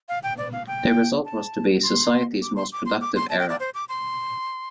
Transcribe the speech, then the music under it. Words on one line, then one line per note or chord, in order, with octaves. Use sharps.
The result was to be the society's most productive era.
F5
G5
D5
F5
G5
A5
C6
D6
C6
D6
C6
D6
C6
A5
G5
D5
C5
D6
C6